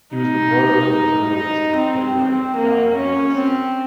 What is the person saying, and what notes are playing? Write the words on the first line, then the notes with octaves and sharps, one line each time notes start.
He was the brother of the journalist and playwright Guy Morrison.
D#4
D#4
C4
C4
A#3
C#4
C4